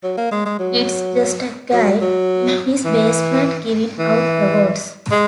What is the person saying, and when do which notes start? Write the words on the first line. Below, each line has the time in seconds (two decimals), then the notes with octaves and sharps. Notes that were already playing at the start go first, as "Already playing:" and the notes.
It's just a guy in his basement giving out awards.
0.03 F#3
0.17 A#3
0.31 G#3
0.45 G#3
0.59 F#3
1.73 F#3
2.01 F#3
2.85 E3
3.99 E3
5.11 G#3